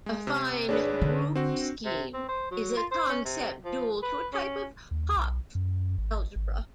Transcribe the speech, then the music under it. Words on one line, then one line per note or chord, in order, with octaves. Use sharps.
"Affine group scheme" is the concept dual to a type of Hopf algebra.
G#3
C3
G#1 D4 G#4 B4 C#5 D5
D3
C4 D4 F#4
C3
C4
C5
F#3
F4
C5
C#4
C3
F3
B4
C#4
D#2
B1
F#2
G#1
G#1